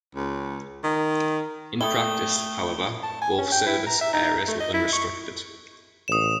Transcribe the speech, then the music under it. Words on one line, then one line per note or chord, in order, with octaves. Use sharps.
In practice, however, both service areas were unrestricted.
C#2
D#3
A3 E4 A4 G5 D#6 G7
A5
G#5
C#4
G5
E4
A#5
E5
D#4
A3
D#5
E4
C#6
A1 D#6 E7